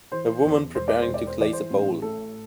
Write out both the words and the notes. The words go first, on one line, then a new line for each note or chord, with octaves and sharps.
A woman preparing to glaze a bowl.
E3 C5
E2
E1 C5
D5
C5
E1
D5
C5
E3 D5
C5
A1
A2 A4